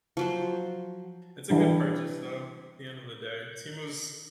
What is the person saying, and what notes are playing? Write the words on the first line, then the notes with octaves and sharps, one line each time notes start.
it's a good purchase, though, at the end of the day. Temu's
F3 F#3 C5
E3 G3 D4